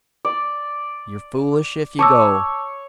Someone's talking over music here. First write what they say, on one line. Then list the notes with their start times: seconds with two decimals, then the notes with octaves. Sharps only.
You're foolish if you go!
0.25 D5
1.99 C#5 A5 D6 E6